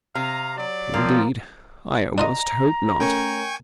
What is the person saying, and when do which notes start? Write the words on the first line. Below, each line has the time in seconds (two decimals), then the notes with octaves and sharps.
Indeed, I almost hope not.'
0.15 C3 F5 A#5
0.56 F#3 D5
0.94 F3 A#3 C4 F4
2.18 D4 F4 D#5 A#5
3.00 A3 C#4 A#4 G5 G#5 C#6